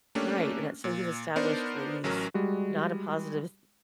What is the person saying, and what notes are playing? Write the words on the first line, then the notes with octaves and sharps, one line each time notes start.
Right, and that so he's established that he's not a positive s
A3 A#3 C#4 D4 G4
A#2
B3 D4 D#4 A#4 C5 D5
A1 F#3 C#4 A#4
G3 G#3 F#4